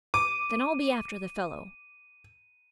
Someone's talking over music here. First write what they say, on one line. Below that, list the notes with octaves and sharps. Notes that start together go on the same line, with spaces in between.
"Then I'll be after the fellow."
D6 D#7